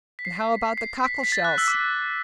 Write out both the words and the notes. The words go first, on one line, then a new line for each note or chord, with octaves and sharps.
"And how about the cockle-shells?"
B6
C7
C7
B6
B6
A6
F#6
E6
D6
E6